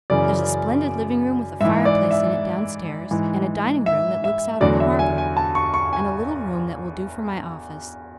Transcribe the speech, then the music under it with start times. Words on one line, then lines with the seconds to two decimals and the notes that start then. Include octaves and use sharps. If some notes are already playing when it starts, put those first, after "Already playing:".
There's a splendid living room with a fireplace in it downstairs, and a dining room that looks out on the harbor, and a little room that will do for my office.
0.10 F#2 C#3 E3 D5
1.61 G#2 E5
1.65 E3
1.85 D5
2.11 E5
3.11 G#2 E3
3.86 E5
4.24 E5
4.61 E2 D3 F#3 D5
4.80 E5
4.99 G#5
5.18 G#5
5.37 A5
5.55 C#6
5.74 C#6
5.93 G#5